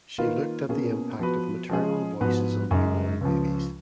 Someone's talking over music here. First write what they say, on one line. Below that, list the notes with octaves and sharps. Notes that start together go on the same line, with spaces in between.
She looked at the impact of maternal voices on newborn babies.
D#3 A#3 F4 B4
B2 A#3 C#4 G#4
F3 B3 F#4 B4
F3 G#3 C#4 G#4
G#2 F3 B3 F#4 B4
F#2 C#3 G#3
C#2 C#3 F3